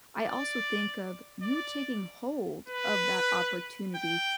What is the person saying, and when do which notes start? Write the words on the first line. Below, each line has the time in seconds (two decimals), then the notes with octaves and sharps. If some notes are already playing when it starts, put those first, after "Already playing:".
I also think of you taking hold of that opportunity
0.17 D5
1.43 D5
2.69 B4
3.95 G5